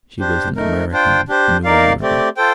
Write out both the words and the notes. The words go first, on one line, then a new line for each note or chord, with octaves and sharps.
She was an American, a New Englander.
D4 G4 C5
A3 D#4 A#4
D4 F4 C5 G5
D4 G4 C5
A#3 D#4 A#4 D5 F5
A3 C4 G4 D5
F4 A4 C5 G5